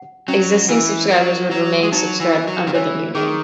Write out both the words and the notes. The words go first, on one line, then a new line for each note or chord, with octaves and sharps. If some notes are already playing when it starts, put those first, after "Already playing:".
Existing subscribers would remain subscribed under the new name.
Already playing: F#5
F#3 C#4
E3 B4
F#3 A#4
F#3 F#5
G#3
F#3 D#4
E3
D#5
F#3
D#3
E3 C#5
D#3 G#4